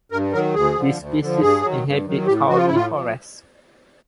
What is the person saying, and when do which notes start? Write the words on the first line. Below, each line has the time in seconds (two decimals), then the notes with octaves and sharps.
This species inhabits kauri forests.
0.11 G2 A#4
0.33 D#3 F#3 A#4
0.55 D2 G#4
0.76 D3 F3
0.98 D2
1.20 D3 F3
1.41 G2 G#4
1.62 D#3 F#3
1.84 G2
2.06 D#3 F#3
2.27 A2 G4
2.48 F3 F#4
2.57 F4
2.66 A2 E4
2.75 F4
2.91 F3